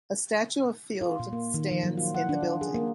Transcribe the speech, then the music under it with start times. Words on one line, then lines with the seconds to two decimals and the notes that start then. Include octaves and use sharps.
A statue of Field stands in the building.
1.01 F4
1.19 A#2
1.33 A#3
1.54 D#3
1.71 F3
1.83 F#3
1.97 F4
2.15 F#5
2.29 D4
2.43 F4
2.61 G#4
2.75 A#3